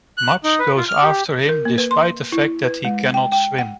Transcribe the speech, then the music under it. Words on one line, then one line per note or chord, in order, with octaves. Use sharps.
Maps goes after him despite the fact that he cannot swim.
F#6
D#4
B4
F4
F6
G4
A#4
A#3
B4
C6
E4
B4
G#3
G5
G5
F#5